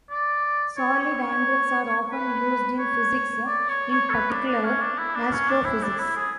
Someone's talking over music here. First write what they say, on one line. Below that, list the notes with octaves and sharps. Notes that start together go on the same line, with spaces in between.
Solid angles are often used in physics, in particular astrophysics.
D5
C#5
C#5
C#5
B4
C#5
D5
C#5
C#5
A4
B4
D4
D4
C#4
D4
E4
D4
C#4
D4
E4
D4
E4
G#4